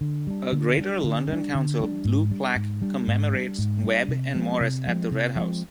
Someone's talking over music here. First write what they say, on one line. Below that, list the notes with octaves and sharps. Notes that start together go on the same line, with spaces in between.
A Greater London Council blue plaque commemorates Webb and Morris at the Red House.
D3
G3 D4
D3
G3 D4
D3
G3 D4
D3
G3 D4
G#2
G3 D4
G#2
G3 D4
G#2
G3 D4
G#2
G3 D4
C3
F3 G#3 C4
C3
F3 G#3 C4
C3
F3 G#3 C4